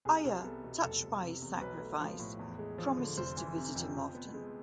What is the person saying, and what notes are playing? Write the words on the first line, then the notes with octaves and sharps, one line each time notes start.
Aya, touched by his sacrifice, promises to visit him often.
C2 G#4
C2
B3 A4
B2
F1 A4
F1
C3
E2
B1 B4
A3
F3
A2
E2
G#3
F3
D3
F1 C5
E3
C3
F2
F2
B3
G#3